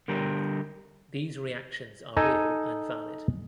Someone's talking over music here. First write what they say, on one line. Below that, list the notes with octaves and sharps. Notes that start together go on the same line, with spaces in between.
These reactions are real and valid.
D3 G3 G4 A#4
D#4 A4 D#5 G#5